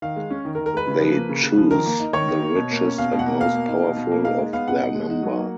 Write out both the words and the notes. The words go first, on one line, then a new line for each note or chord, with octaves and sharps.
They choose the richest and most powerful of their number.
D#3 F5
G#3
C#4
D#3
A#4
D#3
A#4
G#3 B4
C#3
F3
A#3
C#3
C#3
F3
D#3 A#4
A#3
D#4
D#3 C#5
D#3
A#3
B2
A#3
C#4
B2 F5
B2
F#5
A#3
B2 F5
A#3
D#4
B2
B2
A#3
D#4 F5
G#3
B3 F5
B2 F#5
D#4
G#3
D#4
F#3
A#3